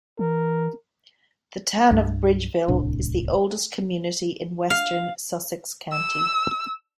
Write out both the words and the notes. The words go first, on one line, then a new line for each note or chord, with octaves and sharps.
The town of Bridgeville is the oldest community in western Sussex County.
E3 A#4
C2 G2
D1 C2 A2 D4
F5
E6